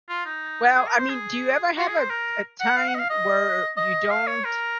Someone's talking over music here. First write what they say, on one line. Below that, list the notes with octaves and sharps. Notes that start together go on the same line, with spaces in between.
Well, I mean, do you ever have a a time where you don't
F4
D#4
G#4
A#4
C5
G#4
F#4
G#4
C5
A#4
F#5
F5
F#5
D#5
F5
D#5
D#5
F5
C#5
A#4